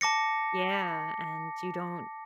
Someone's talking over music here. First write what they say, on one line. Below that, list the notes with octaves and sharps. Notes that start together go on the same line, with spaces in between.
Yeah, and you don't
A5 D6 A#6 C#7